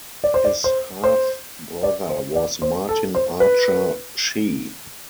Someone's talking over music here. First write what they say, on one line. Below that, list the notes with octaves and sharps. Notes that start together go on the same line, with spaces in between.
His half-brother was Martin Archer-Shee.
D5
C5
D5
C5
C5
D5
C5
D5
C5
A4
C5
B4